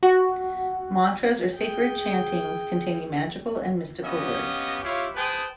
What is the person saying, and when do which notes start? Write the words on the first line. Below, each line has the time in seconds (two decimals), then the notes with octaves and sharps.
Mantras are sacred chantings containing magical and mystical words.
0.03 F#4
1.55 G#4 G5
4.04 B3 C#4 G4 D#5 F5
4.84 E4 F4 G4 C#5 F5
5.15 G#4 B4 C5 G5 A5 D#6